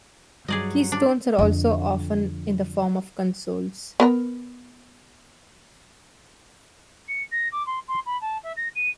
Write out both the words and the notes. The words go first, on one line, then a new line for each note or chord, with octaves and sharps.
Keystones are also often in the form of consoles.
G2 F#3 G3 G#4 D5 D#5
D4
F2 D3
B3 A#4 A#5
C#7
A#6
D6
C6
C6
B5
A5
E5
A#6
D#7